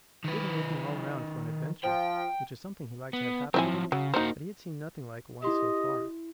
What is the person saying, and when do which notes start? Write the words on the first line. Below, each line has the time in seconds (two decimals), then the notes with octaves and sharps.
He had been looking all around for an adventure, which was something he liked to have happen to him, but he had seen nothing like one so far.
0.24 D#3 B4
1.84 F3 G5
3.13 B3
3.54 F3 F#3 C4 E4 G#5
3.92 C#3 F#3
4.14 A#3 D#4 F#4 A#4 C5
5.42 E4 G4 D#5 C6 E7